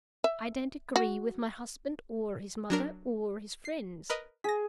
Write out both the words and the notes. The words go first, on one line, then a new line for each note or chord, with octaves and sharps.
I don't agree with my husband, or his mother, or his friends.
E5
F#4
F#3 D4 A#4
C7
A#4 B4 D#5
G#4 A#6 B6